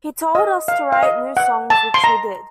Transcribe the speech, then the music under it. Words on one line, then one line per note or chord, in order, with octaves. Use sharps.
He told us to write new songs - which we did.
D#5
F5
F5
D#5
F#5
A5
C6
A#5